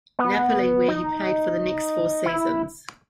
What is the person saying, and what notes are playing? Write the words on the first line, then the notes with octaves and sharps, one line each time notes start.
Napoli where he played for the next four seasons.
B3
D#4
E4